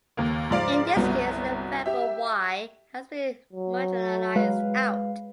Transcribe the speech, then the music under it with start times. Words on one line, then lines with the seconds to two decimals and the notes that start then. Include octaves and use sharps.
In this case, the variable "Y" has been marginalized out.
0.17 D#2 A#3
0.50 G#2 F3 D5 F5 D7
0.96 G1 C2 F#3 B3
1.86 G4 E5
3.53 F#3
4.36 G#3 B4 F5